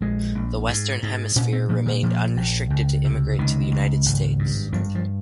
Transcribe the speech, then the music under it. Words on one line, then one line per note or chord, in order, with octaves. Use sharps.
The Western Hemisphere remained unrestricted to immigrate to the United States.
A#1 G#3
A#1
G#2
G#2
A#2 C#4
C4
A#2 F3
D#3
A#2 F3
A#1
C#2
C3
C#2 D#3
C#2
G#1
G2
G2 F3
F3